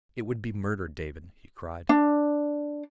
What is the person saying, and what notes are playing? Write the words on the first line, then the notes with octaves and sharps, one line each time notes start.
"It would be murder, David," he cried.
D4